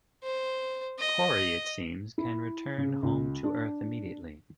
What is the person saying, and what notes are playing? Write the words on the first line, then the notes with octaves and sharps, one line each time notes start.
Corry, it seems, can return home to Earth immediately.
C5
D#5
E4
C#3
C#2
D4